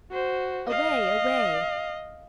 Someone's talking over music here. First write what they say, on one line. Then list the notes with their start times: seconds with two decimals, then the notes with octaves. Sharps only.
Away! away!
0.12 F#4 C5
0.69 D#5 F5